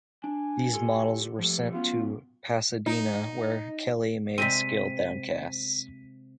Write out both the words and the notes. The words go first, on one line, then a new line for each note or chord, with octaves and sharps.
These models were sent to Pasadena, where Kelley made scaled down casts.
D4 G#5
F4 G4 A4
F3 G3 A3
F#3 B3 C#4 F4
D#4
C3 G#3 C4 B6 D#7